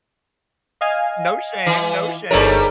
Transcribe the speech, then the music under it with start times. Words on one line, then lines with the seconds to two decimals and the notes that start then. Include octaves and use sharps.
No shame, no shame.
0.81 D#5 F5 G#5
1.66 E3
2.31 G1 G#2 G3 A4 A#4 C#5